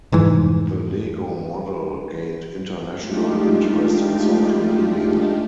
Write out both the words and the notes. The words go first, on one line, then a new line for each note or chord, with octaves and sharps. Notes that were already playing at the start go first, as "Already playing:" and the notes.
The Lego model gained international interest on social media.
F1 G#2 E3
G#3 A3 D4 D#4 F4 G4